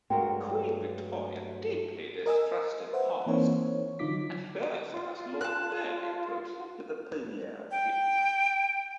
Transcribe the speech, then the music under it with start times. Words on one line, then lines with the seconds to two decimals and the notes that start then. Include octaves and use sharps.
Queen Victoria deeply distrusted Palmerston and first asked Lord Derby to accept the premiership.
0.10 G2 F#3 G#3 A3 F#4 A#4 G5
2.26 A#4 D#5 G#5 E6
2.93 B4 C5 E5 F#5
3.26 E3 A#3 C4 D#4 C5 C#5
3.99 D3 F#3 D#4 F4 D6 B6
4.94 F4
5.41 A5 F#6
7.71 G5